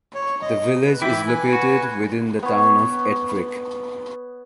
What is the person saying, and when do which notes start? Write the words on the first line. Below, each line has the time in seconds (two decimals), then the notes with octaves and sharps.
The village is located within the Town of Ettrick.
0.15 C#5
0.42 D#5
0.86 B4
1.02 E3 E4 E5 G5 D6
1.28 B4 G#5
1.53 F#4
2.43 B3 C#5